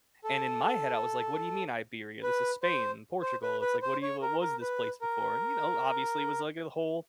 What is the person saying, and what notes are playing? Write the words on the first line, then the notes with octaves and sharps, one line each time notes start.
and in my head I was like, "What do you mean Iberia? This is Spain, Portugal." It's like, "What do you what what was this place before?" you know, obviously it was like a whole
A4
B4
C5
C5
B4
B4
C5
C#5
A#4
A#4
B4
A#4